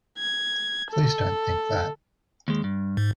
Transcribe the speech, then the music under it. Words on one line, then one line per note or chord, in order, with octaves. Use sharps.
Please don't think that.
G#6
A4
D#2 G#3
G2
G#2